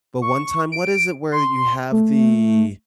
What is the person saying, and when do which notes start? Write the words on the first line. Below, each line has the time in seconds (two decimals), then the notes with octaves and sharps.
but one time What is it where you have the
0.22 C#6
0.72 D7
1.32 C6
1.92 A3